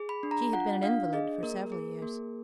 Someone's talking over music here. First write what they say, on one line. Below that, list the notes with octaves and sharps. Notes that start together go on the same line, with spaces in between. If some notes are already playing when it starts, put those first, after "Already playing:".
She had been an invalid for several years.
Already playing: G#4
B5
D4
A#5
F4 F#5
D4 F5
G#4 D#5
A#3 A#4
G#4
A#3